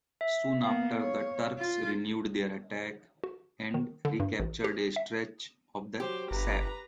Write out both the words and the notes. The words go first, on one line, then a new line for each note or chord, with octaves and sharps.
Soon after, the Turks renewed their attack and recaptured a stretch of the sap.
E5
A#3 B3 F5
C#5
F4
F#4
D#3
D3
G2
A1
G4
E5
F#3 G4 C5
G1 B4 A#5